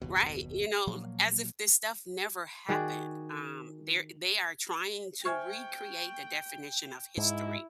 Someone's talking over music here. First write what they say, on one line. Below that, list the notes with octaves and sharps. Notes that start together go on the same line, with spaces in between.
Right? You know, as if this stuff never happened, um, they're they are trying to recreate the definition of history,
F#1 D#2 B2
A#2 F3 F#3 A#3
D#3 F#4 G#4 D5
C5 E5 G5 G#5 C#6 F6 G#6
G#2 E4